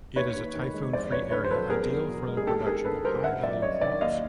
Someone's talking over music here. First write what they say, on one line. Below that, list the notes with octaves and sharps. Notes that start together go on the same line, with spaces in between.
It is a typhoon-free area ideal for the production of high value crops.
D#2 B4 C#5
D#2
D#3
G#3
F2 C5 D5
F2 B4 C#5
D3 B4 C#5
C5
F#3 A4 B4
E2 G#4 A#4
E2
B2
G#3
G#4
D#2 G4 A4
D#2 G#4 A#4
D3 A4 B4
G3 A#4 C5
G#1 E5 F#5
F#3 D5 E5
G2 C#5 D#5
D#3 D5 E5
D#2 D#5 F5